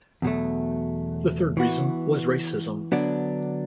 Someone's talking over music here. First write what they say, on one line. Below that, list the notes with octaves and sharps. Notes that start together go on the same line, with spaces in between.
The third reason was racism.
E2 B2 F#3 A3
E3 B3 F#4
D3 F#3 B3 D4